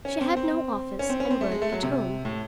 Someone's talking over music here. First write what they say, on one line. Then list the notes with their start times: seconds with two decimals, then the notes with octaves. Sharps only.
She had no office, and worked at home.
0.05 C#4
0.21 C4
0.37 C4
0.99 C#4
1.10 C4
1.20 C#4
1.31 C4
1.41 A3
1.52 G#3
1.62 A3
1.72 F#3
1.83 C3
2.25 A2